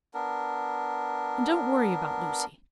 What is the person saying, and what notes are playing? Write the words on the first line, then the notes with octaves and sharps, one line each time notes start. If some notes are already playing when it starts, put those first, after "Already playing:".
And don't worry about Lucy.
B3 D4 A#4